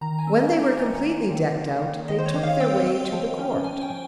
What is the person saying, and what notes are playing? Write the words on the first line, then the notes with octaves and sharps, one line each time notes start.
When they were completely decked out, they took their way to the court.
D#3 A#5
G#5
C4
D#5
C4 C#5
C4
A#3
D#3
D#3
D#3
D#3 D#5
C5
C#5
D#3
F5
C4 G5
C4
F3 G5
C#4
F3 G#5
G5
F3